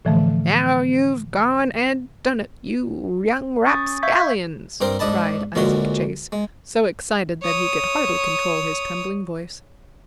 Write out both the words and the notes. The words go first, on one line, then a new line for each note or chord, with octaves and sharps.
"Now you've gone and done it, you young rapscallions!" cried Isaac Chase, so excited that he could hardly control his trembling voice.
A2 D3 E3 F3 A3
C#4 C#6 D#6 A6
E5 F5 C#6 G6 G#6 B6
G2 C4 A#4 C5
G#2 D4 D#5 A5 B5
D2 A#2 G#3 C#4 F#4 C6
G#3
C#5 D#6